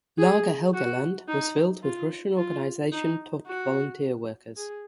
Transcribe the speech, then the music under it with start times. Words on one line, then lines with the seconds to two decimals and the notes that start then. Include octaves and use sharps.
"Lager Helgoland" was filled with Russian Organisation Todt volunteer workers.
0.18 G#4
0.74 F#4
1.28 D#4
1.83 F4
2.37 F4
2.92 D#4
3.47 F#4
4.57 G#4